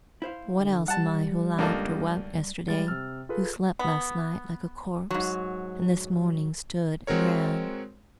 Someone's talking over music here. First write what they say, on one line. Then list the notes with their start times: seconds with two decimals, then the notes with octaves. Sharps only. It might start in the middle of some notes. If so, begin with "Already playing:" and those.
What else am I who laughed or wept yesterday, who slept last night like a corpse, and this morning stood and ran?
0.22 E4 C5 F5
0.58 D3
0.88 G3 F#5 A5
1.58 C#2 G2 A#3 D4 A4
2.68 G3 G#3 A6
2.87 C3 E6 F6 A6
3.29 F4 G#4 A4 B4
3.79 B3
5.11 G#2 F#3
7.07 G#3 C4 F#4 A#4 C#5